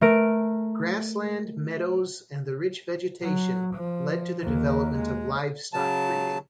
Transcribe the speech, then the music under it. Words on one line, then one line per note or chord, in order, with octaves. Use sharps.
Grassland, meadows and the rich vegetation led to the development of livestock breeding.
A3 A#4 D7
F#3
F3
D#2 D#3
G#3
C#3 F#3 A5